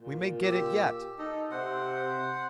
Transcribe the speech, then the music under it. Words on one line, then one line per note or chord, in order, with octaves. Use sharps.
"We may get it yet!"
A#2
G4 E6
D#4 A4
C3 C5 F#5